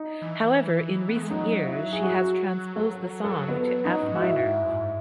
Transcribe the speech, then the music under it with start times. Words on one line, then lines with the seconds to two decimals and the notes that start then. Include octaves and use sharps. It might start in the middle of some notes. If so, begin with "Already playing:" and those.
However, in recent years, she has transposed the song to F minor.
Already playing: D#4
0.22 E3
1.09 B3
1.16 A3
1.23 G#3
1.30 F#3 D#4
1.67 E4
1.93 G#4
2.03 F#4
2.76 F#3 A4
3.01 F#3
3.24 F#3 A4
3.48 B3
3.67 F#3
3.85 F#3 D#4
4.03 G#2
4.16 F#4
4.22 G#2 E4
4.45 G#2
4.62 F#2
4.70 G#2